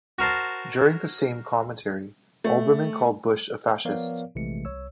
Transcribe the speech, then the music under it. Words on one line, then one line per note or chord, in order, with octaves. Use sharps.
During the same commentary, Olbermann called Bush a fascist.
F#4 A#4 C5 A5
A3
F3 B3 A#4 C#5 D5 F5
A#1 C3 E3 G#3 A3 C#7
C2 C#5 E6